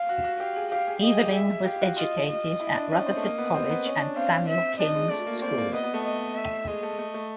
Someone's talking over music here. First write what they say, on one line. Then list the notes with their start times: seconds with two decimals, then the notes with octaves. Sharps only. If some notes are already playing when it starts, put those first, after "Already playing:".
Eveling was educated at Rutherford College and Samuel King's School.
Already playing: F5
0.09 F#4
0.24 F#4
0.40 G4 F5
0.56 G#4
0.72 G4 F5
0.87 G#4
1.03 D#5
1.12 G#4
1.21 G4
1.31 G#4 E5
1.65 G4 F5
1.82 F#4
1.97 F4 D#5
2.28 D#5
2.60 E4
2.76 D4
2.91 C#4 D#5
3.06 C4
3.17 A3
3.23 A#3
3.38 B3
3.54 C4
3.70 B3
3.85 C#4
4.01 D4
4.17 C4 F5
4.48 E5
4.79 D4 D#5
4.95 G#3
5.10 A3 D5
5.26 A#3
5.42 C4 D5
5.58 A#3
5.73 B3 D#5
5.83 B3
5.94 A3
6.05 D#5
6.36 E5
6.67 G#3 D#5
6.83 A3
6.98 A3
7.14 A3